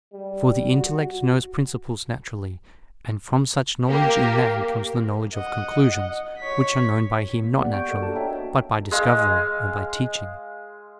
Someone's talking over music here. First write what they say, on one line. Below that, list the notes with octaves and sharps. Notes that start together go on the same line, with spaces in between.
For the intellect knows principles naturally; and from such knowledge in man comes the knowledge of conclusions, which are known by him not naturally, but by discovery, or by teaching.
G3
F#4
A#3 G4
D#5 F#5
C#5 B6
A#3
A#3 B3 G4 D5 F#5
C#6 G6 G#6 D7
A4 A#4 D5 D#5
A#3 D4 F#4 A4 A5
C#5 E5 G5 A#5
G#3 F5